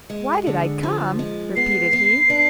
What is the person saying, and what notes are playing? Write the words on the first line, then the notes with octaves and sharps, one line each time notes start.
"Why did I come?" repeated he.
G#3
D3
F3
G#3
B3 C7
B3
D4